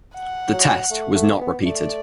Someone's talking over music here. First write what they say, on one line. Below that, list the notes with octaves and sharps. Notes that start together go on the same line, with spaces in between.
The test was not repeated.
F#5
F#3
A3
A3
B3
A3 D5